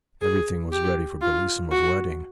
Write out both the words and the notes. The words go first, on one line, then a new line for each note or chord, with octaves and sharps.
Everything was ready for Bellissima's wedding.
G#4
G4
F4
F#4